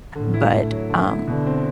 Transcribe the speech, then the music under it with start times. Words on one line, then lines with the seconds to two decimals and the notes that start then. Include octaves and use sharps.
but, um,
0.15 A2 D3
0.34 E4
0.53 A3
0.72 F#3
0.90 D3
1.08 E4
1.27 B2 D3
1.46 C4